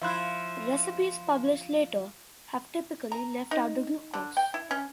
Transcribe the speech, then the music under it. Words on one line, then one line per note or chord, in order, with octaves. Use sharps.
Recipes published later have typically left out the glucose.
F3 E4 E5 C6 F#6
A#5
D#4
D3
G5
E4
C#4